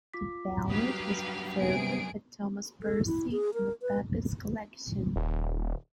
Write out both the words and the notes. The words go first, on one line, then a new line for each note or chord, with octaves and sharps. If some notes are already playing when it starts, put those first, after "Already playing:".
The ballad was preserved by Thomas Percy in the Pepys Collection.
F4 D6 B6
G2 F#3 G4 B4 F5 D#6
C3 G3 A#3 B3 G#4 D7
A4
E4
G#4
A#4
B4
D#1